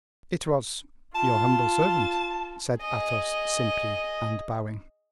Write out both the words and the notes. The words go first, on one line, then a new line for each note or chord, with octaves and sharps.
"It was your humble servant," said Athos, simply, and bowing.
F4 A5
G#4 D#5